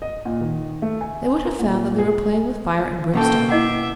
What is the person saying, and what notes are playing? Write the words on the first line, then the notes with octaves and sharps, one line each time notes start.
They would have found that they were playing with fire and brimstone.
D#5
A#2
D#3
A3
G#5
A#4
A#2
G#4
B2 A#3 C#4 A4 G5 A5
E4 D#5 E5 F#5 D6